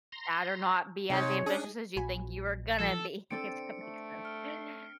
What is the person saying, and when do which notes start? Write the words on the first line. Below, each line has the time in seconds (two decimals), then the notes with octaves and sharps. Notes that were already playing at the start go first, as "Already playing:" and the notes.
That or not be as ambitious as you think you are gonna be, if that makes sense.
0.12 A#5 C6
1.10 G#2 C3 C#5
1.46 C#4 D4 G#4
1.97 A#1 F#4 G#5 B5
2.80 F3 A4
3.30 C4 D4 A4 C#7 D7
3.82 A3
4.25 F6 D7